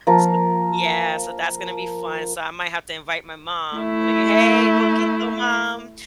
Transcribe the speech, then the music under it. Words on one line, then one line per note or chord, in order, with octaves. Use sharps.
So yeah, so that's gonna be fun. So, I might have to invite my mom, like, "Hey, coquito, mom."
F3 A#3 F4 A#4
A3 E4